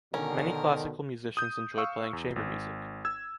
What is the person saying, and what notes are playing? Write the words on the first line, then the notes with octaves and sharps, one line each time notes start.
Many classical musicians enjoy playing chamber music.
B2 D3 D#3 C#4 A#4
D#6 G6
F5 C#6 E6
E2
G#1
E6 G#6